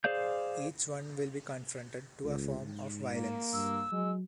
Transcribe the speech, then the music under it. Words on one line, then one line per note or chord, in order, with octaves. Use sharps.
Each one will be confronted to a form of violence.
G#4 C5 D5 F5 G6
C#2
G#2
A#3
G2 E6
F#3 G#3